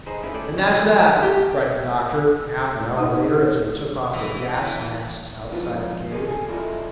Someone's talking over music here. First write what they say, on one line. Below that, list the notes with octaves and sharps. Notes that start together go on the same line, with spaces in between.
"And that's that!" cried the doctor half an hour later as they took off their gas masks outside the cave.
D#4 G#4 B4 C5
A3 C#4 E4 B4
G#4 A4 D5 G5
B2 D#3 F#3 G#3 B3 C#4
E3 A3 A#3 F4
F#3 G3 A#3 B3
G4
D#4 F#5 D#6
E3
C2 G#2 F3 E4 F4 B4
E3 G#4 D5 D#5
A4 G#5
E4 F4 A4 D5 D#5